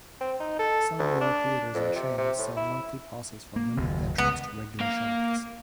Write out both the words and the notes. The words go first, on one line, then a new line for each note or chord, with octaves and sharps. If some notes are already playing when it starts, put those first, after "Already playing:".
Some movie theaters and chains sell monthly passes for unlimited entrance to regular showings.
C4
D#4
A4
D2
D4
F2
C3
C3
A2
E4
A#3
F#1 D#2
C#2 B3
A#3 F5